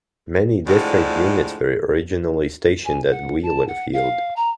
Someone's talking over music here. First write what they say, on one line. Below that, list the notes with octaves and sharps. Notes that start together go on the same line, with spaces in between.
Many different units were originally stationed at Wheeler Field.
D2 A2 D3 F3 G#3 D4
G#5
F#5
A5
F#5
F5
A#5